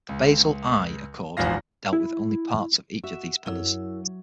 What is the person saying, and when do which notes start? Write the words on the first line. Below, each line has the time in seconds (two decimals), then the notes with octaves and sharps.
The Basel I accord dealt with only parts of each of these pillars.
0.09 C#2
1.37 D#1 G#1 E2 F3 F5 A#6
1.93 E4
3.04 F#4 E5
3.46 F#2 F#3 E4